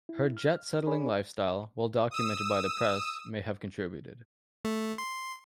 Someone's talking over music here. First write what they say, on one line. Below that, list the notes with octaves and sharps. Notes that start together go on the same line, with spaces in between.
Her jet-setting lifestyle, well documented by the press, may have contributed.
E4
F6
D4 G#4 C#5 D5 G#5 B5
D#6 E6
A3
C6